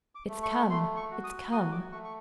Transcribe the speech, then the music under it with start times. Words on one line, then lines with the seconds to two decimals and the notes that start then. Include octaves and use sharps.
It's come--it's come!
0.15 D6
0.28 A3
0.43 C#6
0.70 A3 C6
0.96 C#6
1.11 F#4
1.24 D#6
1.52 F#4 D#6
1.72 D6
1.92 A3 C#6
2.04 C#6